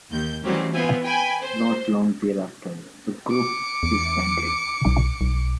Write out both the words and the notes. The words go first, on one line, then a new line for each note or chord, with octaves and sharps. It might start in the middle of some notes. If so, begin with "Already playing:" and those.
Not long thereafter, the group disbanded.
D#2 G6
E3 F#3 G3 A3 C4 C#4
B3 C4 E4 F4 G#5
G5 G#5 B5
C5
D6 C#7
E2
B1
B1